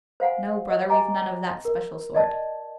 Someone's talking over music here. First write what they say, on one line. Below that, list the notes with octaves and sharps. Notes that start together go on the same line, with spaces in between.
"No, brother, we've none of that special sort."
C5 F5 F#5 G#5
D#5
D#5 G#5 A#5 D6
A#4
D5 D#5 A5